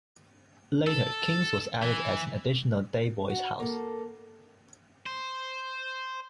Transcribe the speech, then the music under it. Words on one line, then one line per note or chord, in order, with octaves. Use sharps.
Later, King's was added as an additional day-boys house.
A4
E3
F#4
A#3 A4
C5